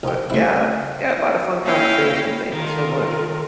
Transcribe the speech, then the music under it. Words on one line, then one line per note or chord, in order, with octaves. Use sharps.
But yeah, yeah, a lot of fun conversation, thank you so much.
C2 D#4 G4 A#4 C5
C#3 G3 A3 C4 E4
A#3 C#4 E4 F5 G5
D#3 F4 A4 A#4